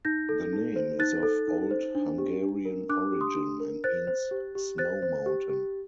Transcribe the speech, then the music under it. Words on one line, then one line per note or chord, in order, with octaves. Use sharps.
The name is of Old Hungarian origin and means 'snow mountain'.
D#4 G6 A#6
A4
D#4
C5
D#4 F#6 A6
A4
D#4
C5
D4
G4
D4
A#4
D4 D6 F#6
G4
C6 D#6
D4
A#4
C5 F#6 A6
C5
G4
G4
C5 F#6 A6
C5
G4
G4